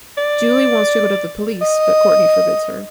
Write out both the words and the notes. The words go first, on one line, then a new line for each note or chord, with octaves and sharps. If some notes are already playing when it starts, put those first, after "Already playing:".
Julie wants to go to the police, but Courtney forbids her.
D5
D#5